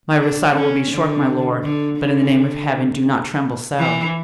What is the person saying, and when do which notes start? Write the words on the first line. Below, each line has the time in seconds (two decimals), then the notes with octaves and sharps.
"My recital will be short, my lord; but in the name of Heaven do not tremble so."
0.19 D4
0.55 C#4
0.91 D3
1.63 D3
2.00 D3
3.79 E3